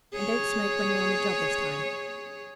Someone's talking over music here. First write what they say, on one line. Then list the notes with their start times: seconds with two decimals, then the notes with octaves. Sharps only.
And don't smoke when you're on the job this time.
0.13 G#4 C#5